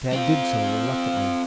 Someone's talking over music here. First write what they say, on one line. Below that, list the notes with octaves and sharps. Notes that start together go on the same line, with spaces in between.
Tad did so reluctantly.
C4 F4